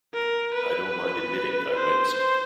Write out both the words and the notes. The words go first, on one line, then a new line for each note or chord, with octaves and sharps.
I don't mind admitting that I winced.
A#4
B4
C5
C5